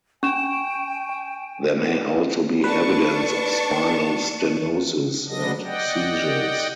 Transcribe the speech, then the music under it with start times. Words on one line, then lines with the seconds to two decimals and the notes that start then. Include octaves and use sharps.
There may also be evidence of spinal stenosis and seizures.
0.23 C#4 G5 G#5 C#6 E7
2.64 D4 B4 A5 C#6
5.28 C#3 F#3 B3 D4 D#5 A#6
5.66 D5 D#5 F#5 G5